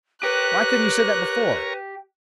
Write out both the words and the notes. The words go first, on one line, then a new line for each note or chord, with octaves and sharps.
Why couldn't you said that before?
G4 A#4 B4 C#5 F#6